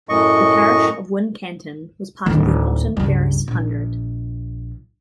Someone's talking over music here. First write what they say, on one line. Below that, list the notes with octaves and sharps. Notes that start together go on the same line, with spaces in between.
The parish of Wincanton was part of the Norton Ferris Hundred.
F#2 A2 D#5 C#6
D1 D#3
C#2 G2
A#1